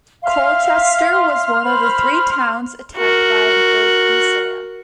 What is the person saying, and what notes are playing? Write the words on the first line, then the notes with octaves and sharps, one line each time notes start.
Colchester was one of the three towns attacked by Boadicea.
E5 F5 C6 F6
C5 B5
F#4 A#4